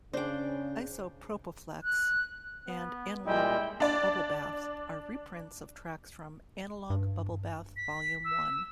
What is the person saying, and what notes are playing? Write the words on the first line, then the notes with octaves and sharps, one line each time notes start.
"Isopropophlex" and "Analogue Bubblebath" are reprints of tracks from "Analogue Bubblebath Volume One".
C#3 D4 C5 G5
F#6
B3
A#2 G3 G#3 E4 D#5 G5
D4 D5
G2
B6
E6